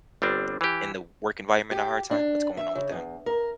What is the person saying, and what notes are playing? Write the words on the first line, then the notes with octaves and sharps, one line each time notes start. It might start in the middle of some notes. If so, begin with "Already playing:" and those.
i in the work environment a hard time? What's going on with them?
G1 G3 C4 D4
E3 G4
G4
D4
E5
C#3
E2
A#4